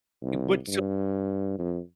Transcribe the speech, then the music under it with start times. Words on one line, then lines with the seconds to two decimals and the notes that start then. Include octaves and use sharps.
Eh, what so
0.22 C2
0.68 G2
1.58 F2